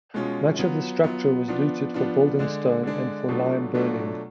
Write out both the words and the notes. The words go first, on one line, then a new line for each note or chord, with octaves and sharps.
Much of the structure was looted for building stone and for lime burning.
B2 G#3 C#4 F4
F#3 B3 F4
F#3 B3 F4
F3 B3 D4 F4
F3 B3 D4 F4
D3 G#3 D4
D3 G#3 D4
B2 F#3 A3 D4 F4
B2 F#3 A3 D4 F4